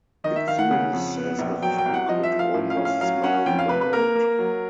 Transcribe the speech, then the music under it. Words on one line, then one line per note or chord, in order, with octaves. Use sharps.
It seems as if he could almost smell the gold.
D#3 D#5
E5
D#3 F5
F#5
C#3 F#5
F2
B3
A#1
F#3 G5
G5
C2
F#5
F3 D#5
E5
F3
F5
A2
F5
C#4
F5
F#3 F5
C#4 F#5
F2 G5
F5
C3 B4
B4
A#3 A#4
A#3
F#3